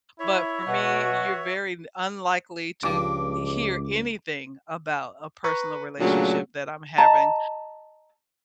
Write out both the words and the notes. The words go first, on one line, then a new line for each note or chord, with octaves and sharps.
but for me, you're very d unlikely to e hear anything about a personal relationship that I'm having.
E4 C#5 E5
B2 F#4 B4 F#5
C#2 G2 F3 D6
B4 A#5 C#6
A#2 C#3 F#3 A3 D4
D#5 A5 A#5